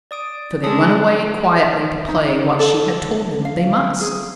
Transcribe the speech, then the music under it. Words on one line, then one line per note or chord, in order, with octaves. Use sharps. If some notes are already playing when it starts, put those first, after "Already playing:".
So they went away quietly to play what she had told them they must.
D5 D#6 D7
G#3 D4 E4 A4 A5 D#6
D#4
A4
F5
G#4